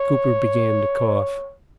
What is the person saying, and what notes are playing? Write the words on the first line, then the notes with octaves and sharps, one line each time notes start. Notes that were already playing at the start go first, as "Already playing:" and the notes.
Cooper began to cough.
Already playing: C#5